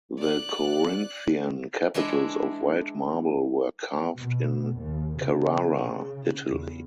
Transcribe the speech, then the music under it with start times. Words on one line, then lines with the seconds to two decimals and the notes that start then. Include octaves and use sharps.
The Corinthian capitals of white marble were carved in Carrara, Italy.
0.17 D5 F#6
1.94 E3 G#3 D4 E4
4.15 B2
4.74 D#2
5.16 C#3
5.84 C#3
6.50 E2